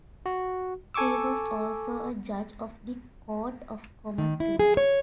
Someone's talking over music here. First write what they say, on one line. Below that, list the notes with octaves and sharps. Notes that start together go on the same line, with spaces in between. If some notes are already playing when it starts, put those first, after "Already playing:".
He was also a judge of the court of common pleas.
F#4
A4 G#5 C#6 D6 E6
D#3
E4
G#4
C#5